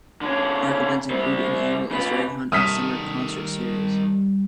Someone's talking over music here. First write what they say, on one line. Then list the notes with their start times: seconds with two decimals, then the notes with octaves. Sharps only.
Park events include an annual Easter egg hunt and a summer concert series.
0.21 D3 C#4
1.10 G3 C4
1.91 C#3 B4
2.52 D#3 G3 A4 D#6 F6 B6